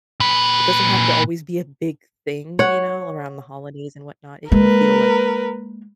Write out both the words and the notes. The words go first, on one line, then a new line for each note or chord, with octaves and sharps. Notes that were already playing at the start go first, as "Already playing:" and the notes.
it doesn't have to always be a big thing, you know? Around the holidays and whatnot, it can feel like,
A#2 B4
C#5 F#5
G#3 A#3 A#4 B4